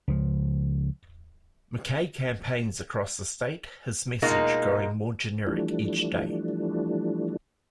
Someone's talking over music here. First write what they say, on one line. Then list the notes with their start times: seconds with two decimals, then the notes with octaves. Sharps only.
McKay campaigns across the state, his message growing more generic each day.
0.08 C#2 F3
4.22 B2 G#3 A#3 D#4 F4
5.47 E3 F3 G3 A3 D4